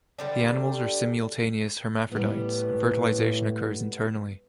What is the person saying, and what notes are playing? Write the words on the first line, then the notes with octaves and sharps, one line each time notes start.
The animals are simultaneous hermaphrodites, and fertilization occurs internally.
D3 G3 D4
A2 G3 B3